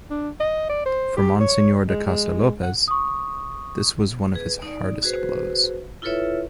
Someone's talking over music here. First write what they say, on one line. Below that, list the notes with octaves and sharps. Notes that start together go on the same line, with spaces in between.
For Monsignor da Costa Lopes this was one of his hardest blows.
D4
D#5
D5
C5
G4
C#5
G#3
G#3
F#5
C#6 D#6
G#4 B4
D#4 D5
F#4 G#4 B4 C5
E4 F4 A4 B4 C#5 E5